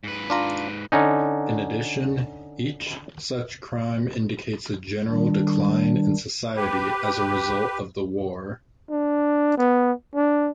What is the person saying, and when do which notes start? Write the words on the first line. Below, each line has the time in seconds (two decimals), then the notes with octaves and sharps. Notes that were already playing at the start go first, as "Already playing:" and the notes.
In addition, each such crime indicates a general decline in society as a result of the war.
0.04 G#2 B4
0.30 D4 F4 A#5
0.92 D3 C#4 D#4
5.09 D#3 G3 D4
6.56 G4 B4
8.91 D4
9.58 B3
10.15 D4